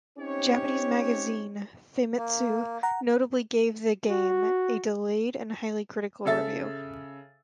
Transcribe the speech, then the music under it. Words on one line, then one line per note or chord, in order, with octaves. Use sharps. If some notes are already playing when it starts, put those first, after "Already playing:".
Japanese magazine "Famitsu" notably gave the game a delayed and highly critical review.
C4 C#4 D#4 G4 C#5
A#3
F#5 A#5
F#4
C#3 A4 E5 A6